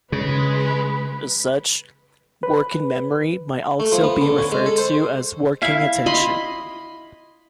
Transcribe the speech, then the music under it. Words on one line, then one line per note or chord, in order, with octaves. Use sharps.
As such, working memory might also be referred to as "working attention".
C#3 G#3 B4
B4
A3
F3
B3
D3
C#4
G#3
A4
C5
E4 E5 F5
D#5 B5 C6